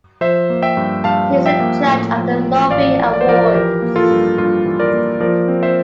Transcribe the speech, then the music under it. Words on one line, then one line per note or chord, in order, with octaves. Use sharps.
He is a judge of the Lovie Awards.
F3 C5 E5
A#3
E5 G5
G2
G2 F5 A5
F3
E5 G5
A#3
A2
F3
A1
A1 D5 F5
A2
D5
C5
F3 A#4 D5
E3 G4 A#4
A#3
F4 A4
G2
G2 F4
E3
A#4 D5
A#3
F3 A#4 D5
C4
C5 E5